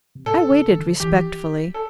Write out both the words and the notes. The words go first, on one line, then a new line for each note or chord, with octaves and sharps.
I waited respectfully.
C3
A2 A4
C3
E3
D3
E3 G4
A4